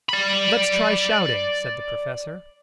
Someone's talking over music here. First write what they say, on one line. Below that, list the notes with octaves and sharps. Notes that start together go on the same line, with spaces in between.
"Lets try shouting," said the Professor.
D5 B5